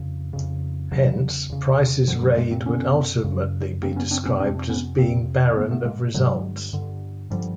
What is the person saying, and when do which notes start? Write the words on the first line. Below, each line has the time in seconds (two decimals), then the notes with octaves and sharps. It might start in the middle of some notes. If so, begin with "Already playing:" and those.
Hence, Price's raid would ultimately be described as being "barren of results".
Already playing: F2 C#3
0.33 F2 C#3
0.91 E2 C#3 E3 F#3
1.50 E2 C#3
2.08 F#2 D3 F3 G3
2.22 F#3 G#3
2.37 G#3 A#3
2.51 A#3 C4
2.66 F#2 D3 B3 C#4
3.24 F#2 C#3
3.82 F#2 C#3 A#3 C4
3.96 B3 C#4
4.11 C4 D4
4.26 B3 C#4
4.40 F2 C3 C4 D4
4.70 B3 C#4
4.98 F2 C3 A#3 C4
5.56 G2 D3 A3 B3
5.71 A3 B3
5.85 G#3 A#3
6.14 G2 D3 F#3 G#3
6.73 G2 D3
7.30 G2 D3 F3 G3